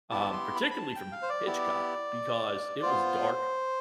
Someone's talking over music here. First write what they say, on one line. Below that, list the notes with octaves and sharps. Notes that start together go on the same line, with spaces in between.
um, particularly from M Hitchcock because it was dark,
B3 E4 G4 A5
C6
B5
A5
B5
A5
G5
F5
C5
D5
B3 E4 G4
B3 F4 C5